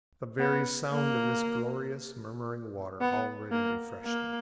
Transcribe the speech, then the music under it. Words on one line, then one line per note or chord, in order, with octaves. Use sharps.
The very sound of this glorious murmuring water already refreshed me.
B3
A#3
B3
A#3
A#3